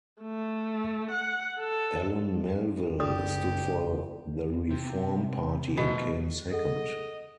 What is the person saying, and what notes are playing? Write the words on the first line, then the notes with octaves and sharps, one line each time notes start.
Ellen Melville stood for the Reform Party and came second.
A3
F#5
A4
F#1 C#2 D#3 G4 D5 D#6
C3
B2 D#3 F3 A3
G#4 A4 D#5 F#5